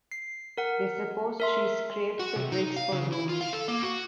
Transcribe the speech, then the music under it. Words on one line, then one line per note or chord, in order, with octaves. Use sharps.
They supposed she scraped the bricks for rouge.
C7
A#4 F#5
A#4 E5 C6
F#4
C3
D#4
F5
C#3
E4
F4
F5
A4
A#3
F#4